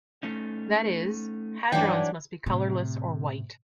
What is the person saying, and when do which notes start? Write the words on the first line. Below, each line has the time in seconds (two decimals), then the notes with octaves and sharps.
That is, hadrons must be "colorless" or "white".
0.23 A3 C#4 D#4
1.72 G2 E3 F#3 D4 D#4 G5
2.46 A2 C3